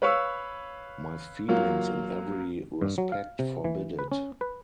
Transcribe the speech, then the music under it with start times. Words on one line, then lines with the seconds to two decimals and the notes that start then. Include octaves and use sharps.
My feelings in every respect forbid it.
0.02 B4 C#5 F5 B5 C#6 E6
1.48 F#3 A#3 F4
2.81 G2
2.98 F#3
3.12 F5
3.39 C3
3.64 E3
3.99 B4
4.12 C#4
4.41 B4